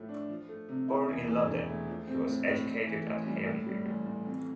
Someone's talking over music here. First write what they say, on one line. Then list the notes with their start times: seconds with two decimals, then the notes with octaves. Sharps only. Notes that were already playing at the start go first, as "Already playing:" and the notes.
Born in London, he was educated at Haileybury.
Already playing: A2 F3 A3
0.09 D4
0.29 F3
0.49 A3
0.69 C3
0.88 E4
1.08 E2
1.28 E3
1.48 E1
1.68 A3
1.87 F3
2.07 C4
2.27 A2
2.47 A2
2.67 A2
2.87 E3
3.07 A1
3.27 G3
3.47 A2
3.66 G3
3.86 A1
4.06 A1
4.26 F2